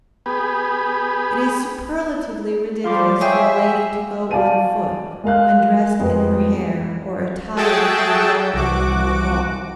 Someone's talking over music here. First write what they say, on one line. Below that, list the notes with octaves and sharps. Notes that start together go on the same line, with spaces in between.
It is superlatively ridiculous for a lady to go on foot, when dressed in her hair, or attired for the drawing-room or a ball.
B3 G4 G#4 B4
F3 G3 F5 C6 D6
G#4 C#5 E5 G5
F#4 D5 F5 G#5 A5 D#7
G#3 A#4 F5 F#6
F2 G#3 B3 G4
F#4 G#4 A4 E5 G5 A5
C2 F#4 D6